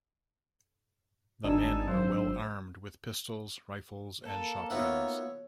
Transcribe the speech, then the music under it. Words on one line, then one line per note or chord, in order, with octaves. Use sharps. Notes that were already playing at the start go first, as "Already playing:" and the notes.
The men were well armed with pistols, rifles and shotguns.
G#1 D4 D#4 G#5 A5 E6
F#3 C5
A#3 A4
B3 D#4 F4 F#4 C#5 E5 F#5